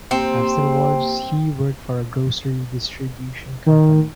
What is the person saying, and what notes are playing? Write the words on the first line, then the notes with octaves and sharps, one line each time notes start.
Afterwards, he worked for a grocery distribution company.
A#3 C4 G4
D#3